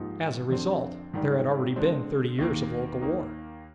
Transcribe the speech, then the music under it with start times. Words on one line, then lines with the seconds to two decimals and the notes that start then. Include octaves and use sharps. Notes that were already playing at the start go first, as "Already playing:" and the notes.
As a result there had already been thirty years of local war.
Already playing: G#2 F3 A#3 D#4 G4
0.50 F2 D3 F3 C4
1.14 G#2 D#3 G3
1.76 D3 G#3 C4
2.39 D#2 D#3 A#3
3.01 D#2 D#3 A#3 D#4